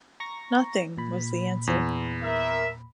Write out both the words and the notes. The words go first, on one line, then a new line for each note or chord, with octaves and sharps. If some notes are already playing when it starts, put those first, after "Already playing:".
"Nothing," was the answer.
A#5 C#6 A#6
A#2 B5
E2
A#4 E5